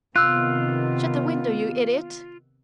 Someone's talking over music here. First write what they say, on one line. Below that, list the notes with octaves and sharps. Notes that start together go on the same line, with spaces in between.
Shut the window, you idiot!
C3 D#3 B3 F4 E6 F#6